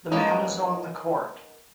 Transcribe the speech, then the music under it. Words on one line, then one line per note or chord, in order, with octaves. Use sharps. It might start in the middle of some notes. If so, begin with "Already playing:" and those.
The man is on the Court.
G#3 A#3 B3 C#4 D#4